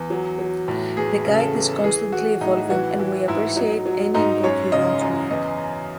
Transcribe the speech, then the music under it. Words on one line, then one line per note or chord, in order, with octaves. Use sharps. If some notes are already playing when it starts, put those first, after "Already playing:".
The guide is constantly evolving and we appreciate any input you want to make.
Already playing: E2
F#3
F#3
A2
E2 G#4
C#3
A4
E2
E3 G#4
E3 F#4
A2 D#4
E3 F#4
E3 F#4
G#2 E4
F#3 D#4
F#3
G#2 D#4
F#2 C#5
C#3 D#5
F#2
E2 D#5